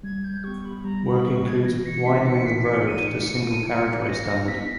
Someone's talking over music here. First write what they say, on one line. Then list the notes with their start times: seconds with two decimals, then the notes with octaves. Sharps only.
Work includes widening the road to single carriageway standard.
0.03 G3 G#6
0.24 G6
0.44 B3 G4 C#6
0.65 B5
0.84 G3 A#5
1.06 B5
1.25 B3 G4 C#6
1.46 G#6
1.65 E3 A#6
1.86 C#7
2.06 G#3 D#4 G4 B6
2.26 C#7
2.46 E3 B6
2.66 C#7
2.87 G#3 D#4 G4 D#7
3.08 C#7
3.27 G#3 C#7
3.47 D#7
3.67 B3 E4 C#7
3.88 C#7
4.08 G#3 A#6
4.28 A#6
4.48 B3 E4 B6